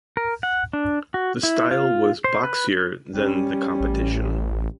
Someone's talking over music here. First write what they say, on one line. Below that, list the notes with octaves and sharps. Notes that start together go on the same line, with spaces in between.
The style was boxier than the competition.
A#4
F#5
D4
F#4
E4
F4
C5
B4
G3 C#4
A1